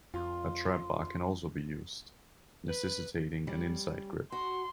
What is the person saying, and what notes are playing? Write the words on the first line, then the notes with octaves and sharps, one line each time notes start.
A trapbar can also be used, necessitating an inside grip.
F2 F4 C6
B4
G3 C#4
F#4 C6